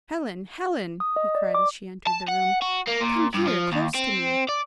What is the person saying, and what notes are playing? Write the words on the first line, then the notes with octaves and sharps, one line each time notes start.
"Helen, Helen!" he cried as she entered the room, "come here, close to me."
D#6
D#5
D5
D6
A5
F#5
F#4
A#3
A#2
G2
F3
D#2
C4
D5